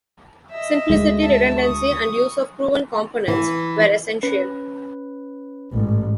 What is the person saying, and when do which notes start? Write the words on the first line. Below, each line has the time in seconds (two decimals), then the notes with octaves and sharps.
Simplicity, redundancy, and use of proven components were essential.
0.50 D#5 E5
0.90 D2 G#3
1.21 E5 A5
1.59 C#6 D#6
3.28 E3
4.23 C#4 B4
5.73 A1 G#2